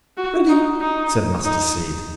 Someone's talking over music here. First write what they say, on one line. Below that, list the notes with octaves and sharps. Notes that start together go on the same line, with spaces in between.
"Ready," said Mustardseed.
F#4
D#4
D#4
D#4